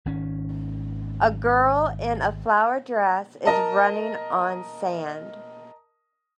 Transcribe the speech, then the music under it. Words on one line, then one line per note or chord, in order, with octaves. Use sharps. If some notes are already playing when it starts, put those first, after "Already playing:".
A girl in a flower dress is running on sand.
G#1 D#3 C#4
A#4 D#5 A5